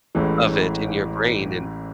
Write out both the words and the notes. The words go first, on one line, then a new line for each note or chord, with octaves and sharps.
of it in your brain and
A1 A2 E3 G#3